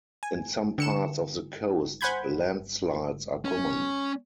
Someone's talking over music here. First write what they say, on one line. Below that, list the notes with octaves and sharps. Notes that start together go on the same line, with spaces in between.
In some parts of the coast, landslides are common.
G#5
D3 C#7 E7
C5 F#5 G#5 B5 G6 G#6
C#4